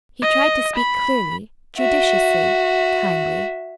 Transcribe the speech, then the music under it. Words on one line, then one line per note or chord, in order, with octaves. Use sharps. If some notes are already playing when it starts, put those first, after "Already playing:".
He tried to speak clearly, judiciously, kindly.
D#5
B5
F#4 E5